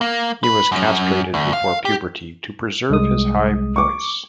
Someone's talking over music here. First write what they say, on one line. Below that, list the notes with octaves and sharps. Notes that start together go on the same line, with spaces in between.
He was castrated before puberty to preserve his high voice.
A#3
B4
F#2
F#2
D2
F5
G4
C2 G#3 D#6
C#6 D6